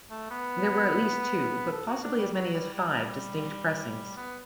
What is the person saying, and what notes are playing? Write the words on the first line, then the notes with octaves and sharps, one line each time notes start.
There were at least two, but possibly as many as five, distinct pressings.
A3
B3
A4
F#4
D4
G3
F#3
G3
G3
B3